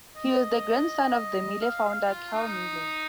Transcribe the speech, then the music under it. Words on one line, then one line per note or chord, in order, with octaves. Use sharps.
He was the grandson of the Miele founder Carl Miele.
D#5
F5
F5
F4
D#4